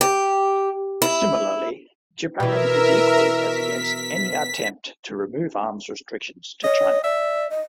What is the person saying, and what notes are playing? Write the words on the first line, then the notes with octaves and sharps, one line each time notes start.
Similarly, Japan is equally as against any attempt to remove arms restrictions to China.
G4
E4
B2 E3 A#4 E5
B6
C#5 D#5
D5 E5
D#5